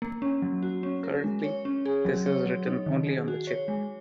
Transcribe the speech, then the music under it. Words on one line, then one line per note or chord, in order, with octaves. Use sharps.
Currently, this is written only on the chip.
A#3
C#4
F#3
F#4
C#4
A#4
G#3
C#5
C#4
G#4
F#3
C#5
F#3
D#4
D#3
G#4
F#4
C#5
G#3